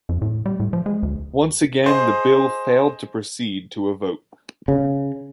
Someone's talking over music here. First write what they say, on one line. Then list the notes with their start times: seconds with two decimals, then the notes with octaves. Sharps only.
Once again, the bill failed to proceed to a vote.
0.09 F2
0.22 A2
0.46 G3
0.60 A2
0.73 F3
0.86 G#3
1.03 D2
1.84 G#4 C5 D#5
4.68 C#3